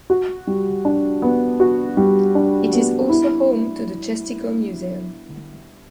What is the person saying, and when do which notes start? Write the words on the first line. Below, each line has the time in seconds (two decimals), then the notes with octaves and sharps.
It is also home to the Chestico Museum.
0.10 F#4
0.47 G3
0.85 D4
1.22 B3
1.60 F#4
1.97 G3
2.35 D4
2.73 B3
3.09 E4